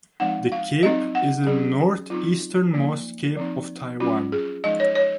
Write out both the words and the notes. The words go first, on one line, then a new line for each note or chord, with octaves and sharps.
The cape is the northeasternmost cape of Taiwan.
F3 G#3 C4 D#4 F#5
F5
F#3 C4 D#4 D#5
F#5
F#3 C#4 G#4
F#3 C4 D#4 F4
F3 A#3 D#4
F3 C4 D#4
F#3 C#4 F4
G#4
F3 G#3 D#4 D#5
C#5
C#5